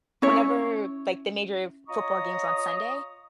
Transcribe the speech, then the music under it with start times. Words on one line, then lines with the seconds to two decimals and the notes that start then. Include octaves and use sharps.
whenever, like, the major football games on Sunday,
0.22 C#4 E4 C#5
1.88 F4 C#5 D#5 A#5 C#6 D#6